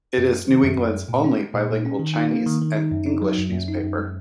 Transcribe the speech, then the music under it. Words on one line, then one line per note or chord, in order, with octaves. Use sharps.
It is New England's only bilingual Chinese and English newspaper.
F#2
G#3
D#3
F#2
F#2
G#3
A#2
C#4
G#3
A#2
A#2
C#4
D#3
D#4
A#3
D#3
D#3
D#4
F#2
D#4
F#3
F#2
F#2
D#4
F#2
G#3